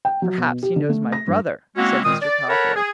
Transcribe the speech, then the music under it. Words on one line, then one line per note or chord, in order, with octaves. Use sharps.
"Perhaps he knows my brother?" said Mr. Calthorp.
G5
F#3
B2
G4
D3
A3
A#6
G2
G#3 A#3 C4 C#4 E4 F#4
A#2 D#3 G#3 C4 D#6
D5
A4 A#4 C#5 F#5 A5 B5
G#4